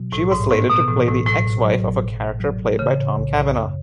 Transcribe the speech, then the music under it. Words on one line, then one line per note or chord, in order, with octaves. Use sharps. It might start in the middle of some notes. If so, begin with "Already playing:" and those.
She was slated to play the ex-wife of a character played by Tom Cavanagh.
Already playing: B2 F#3
B1 A2
B1 G#2
A2 B3
G#2 B2
A2 E3
A1 A2
A2 F#3
G#2
F#3
G#1
G#1
G#1
F#3
G#1
C#3 E3
A2
B1
B1
F#2